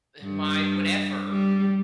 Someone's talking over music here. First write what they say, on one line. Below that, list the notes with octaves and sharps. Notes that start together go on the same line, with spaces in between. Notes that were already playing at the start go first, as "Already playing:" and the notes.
uh, my" whatever.
G2
G3